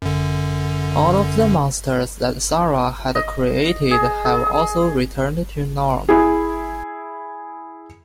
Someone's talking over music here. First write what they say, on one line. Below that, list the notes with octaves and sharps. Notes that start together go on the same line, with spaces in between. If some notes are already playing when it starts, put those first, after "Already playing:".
All of the monsters that Sarah had created have also returned to normal.
F#2 D3
D#5
G#4
G#4
E4 G#4